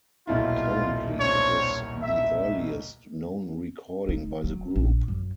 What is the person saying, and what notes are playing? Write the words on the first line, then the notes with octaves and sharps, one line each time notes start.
Currently, it is the earliest known recording by the group.
D#1 B1 E4 F4
C4 D4 C#5
E5
D#4
F#3
A#1
F#2